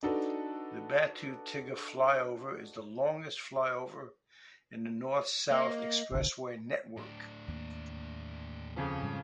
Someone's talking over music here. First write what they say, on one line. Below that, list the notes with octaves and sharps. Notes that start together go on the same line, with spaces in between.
The Batu Tiga flyover is the longest flyover in the North-South Expressway network.
D4 D#4 F#4 A4 B4
A#3 D#5
F#1 B1 D3
A2 D4
D#2 A#3
F2 C#3 F3 C#4
G#2 G3 G#3